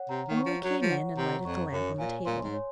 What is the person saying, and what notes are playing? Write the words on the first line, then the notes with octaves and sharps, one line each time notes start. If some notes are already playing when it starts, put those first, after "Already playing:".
Emily came in and lighted the lamp on the table.
Already playing: C#5 F#5
C3 A#5
D#3
C#6
F3
F#3 C#5
F3
F#5
C3 A#5
F2 C#6
F#2 C#5
A#2 G#5
A#2 C6
G#2
C#5